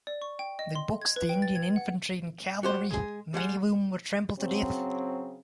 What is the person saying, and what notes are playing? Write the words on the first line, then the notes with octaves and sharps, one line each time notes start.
They boxed the Indian infantry and cavalry, many of whom were trampled to death.
D5
C#6
G5
D#5
C6
G#6
B4
G5
A6
G#6
F#5
F#4 G4 C5
G#3 G#4
G3 G#3 F#5
C#3 F#3 C4